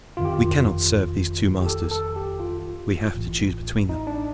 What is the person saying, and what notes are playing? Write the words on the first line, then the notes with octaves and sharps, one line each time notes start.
We cannot serve these two masters; we have to choose between them.
G1 F2 D#3 F4
G4
F4
G4
A4
A4
G4
F4
A1 A2
D#4
D4